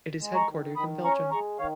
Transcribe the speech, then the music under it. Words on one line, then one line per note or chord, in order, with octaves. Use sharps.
It is headquartered in Belgium.
G#3
A#5 C#6
D#3
D#3 B5 D#6
C#4 A#5 C#6
G#3 A#5 C#6
D#3 C#5 F5